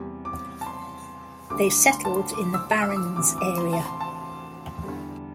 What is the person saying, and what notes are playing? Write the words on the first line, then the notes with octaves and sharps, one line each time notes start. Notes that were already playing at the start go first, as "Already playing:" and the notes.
They settled in the Barrens area.
Already playing: E2 C3 G3
D6
A5
C6
D2 D3 G3 D6
D6
C6
A5
C6
D6
E6
E6
D6
E6
D2 C3 E3 D6
D6
C6
A5
C6
A5
E2 D3 G3